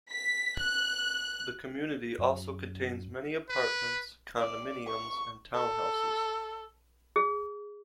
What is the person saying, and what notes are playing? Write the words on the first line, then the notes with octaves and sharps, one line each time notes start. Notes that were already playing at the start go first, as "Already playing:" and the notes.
The community also contains many apartments, condominiums, and townhouses.
B6
F#6
F#2
B4
D5
C#6
A4
G#4